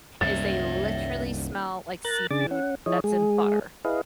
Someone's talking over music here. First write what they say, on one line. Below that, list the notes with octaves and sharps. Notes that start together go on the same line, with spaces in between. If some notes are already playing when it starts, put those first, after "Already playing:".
is they literally smell like seafood that's in butter.
D#1 C2 F#2 C#5 E5 A6
A#4 A#5 F#6 A6
C#3 D4 G#4 D6 A6
C#4 F#5
F3 E4 G#4 C#5 D#5
G#3 G#4
E4 G#4 B4 D#5 F5